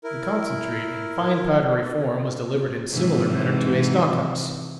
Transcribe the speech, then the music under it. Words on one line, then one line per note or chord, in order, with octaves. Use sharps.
The concentrate, in fine powdery form, was delivered in similar manner to a stock-house.
E4 A#4
G#2 C3 E3